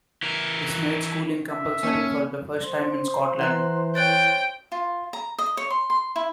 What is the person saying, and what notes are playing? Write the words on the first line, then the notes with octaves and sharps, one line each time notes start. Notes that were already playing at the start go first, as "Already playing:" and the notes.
This made schooling compulsory for the first time in Scotland.
E3 A#4
E5
A#3 C#4 A5
C5 C6
E3 F#5 A#5 F#6
C#5 G5 F#6 A6
F4
A#5
D#5
C#5
C6
C6
E4